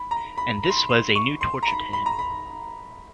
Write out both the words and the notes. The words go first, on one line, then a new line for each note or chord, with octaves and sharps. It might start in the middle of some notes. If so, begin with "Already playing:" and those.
And this was a new torture to him.
Already playing: B5
A#5
B5
B5
C6
B5
C6
C#6
C6
A#5
B5
B5
A#5
B5